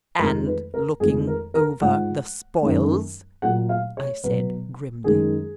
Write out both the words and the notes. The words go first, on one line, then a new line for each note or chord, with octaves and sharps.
"And looking over the spoils!" I said grimly.
F2 D#3 G#3 A#4
B4
A#4
F2 D#3 G#3 G#4
A#4
A#4
G#2 F3 G#3 F#5
F#2 D#3 G#3
A#2 F#3 F#5
F5
C#5
B2 F#3 B4
F#2 D#3 G#3 G#4